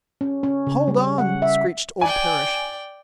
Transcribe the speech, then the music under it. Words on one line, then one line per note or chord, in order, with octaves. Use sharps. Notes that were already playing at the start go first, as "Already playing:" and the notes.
"Hold on!" screeched old Parrish.
C#4
C#4
C#3
G3
F#5
E5
D5 G5 G#5